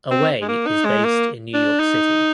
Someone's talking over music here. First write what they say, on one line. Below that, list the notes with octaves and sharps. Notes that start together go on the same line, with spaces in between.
Away is based in New York City.
C4
G#3
A#3
D#4
G#3
A#3
D4
D#4